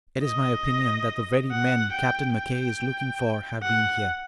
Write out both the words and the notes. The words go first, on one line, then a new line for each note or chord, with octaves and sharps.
It is my opinion that the very men Captain McKay is looking for have been here.
D#5
F#5
G5
G5
F#5